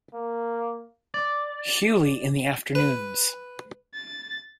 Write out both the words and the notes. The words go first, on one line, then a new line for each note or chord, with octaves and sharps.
Hughley in the Afternoons.
A#3
D5
B4
A6